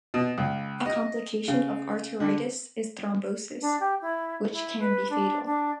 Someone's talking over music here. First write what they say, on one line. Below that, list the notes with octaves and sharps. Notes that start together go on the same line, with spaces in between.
A complication of arteritis is thrombosis, which can be fatal.
B2
C#2
D#5
C#3
D3
D4
G4
E4
E4
B4
D4
D4